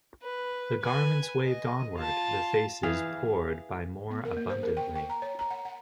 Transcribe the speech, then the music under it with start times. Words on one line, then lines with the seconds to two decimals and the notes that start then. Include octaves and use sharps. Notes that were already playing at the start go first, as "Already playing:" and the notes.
The garments waved onward, the faces poured by more abundantly.
0.23 B4
0.82 B4 G#5
1.46 D#5
1.97 F4 A5
2.83 E3 G#4 F5
4.10 B3
4.25 A#4
4.37 A#3
4.50 C5
4.63 A#4
4.77 G5
4.95 G5
5.10 A#5
5.22 C#5
5.39 A#5
5.51 F#5
5.65 F#5